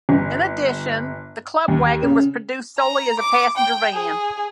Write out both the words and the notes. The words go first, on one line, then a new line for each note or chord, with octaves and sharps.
In addition, the Club Wagon was produced solely as a passenger van.
G1
D#2
C#3
A#5
D6
G5
G#4